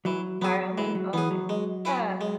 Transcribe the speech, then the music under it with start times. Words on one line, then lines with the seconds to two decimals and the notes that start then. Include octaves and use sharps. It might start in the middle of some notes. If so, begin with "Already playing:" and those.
Fire Emblem, oh okay. Yeah,
0.05 E3 F#3
0.42 F#3 B3 G#4
0.78 E3 G#3
0.95 F#3
1.13 E3 B3 G#4
1.31 F#3
1.49 G#3
1.85 E4 B4
2.21 G#3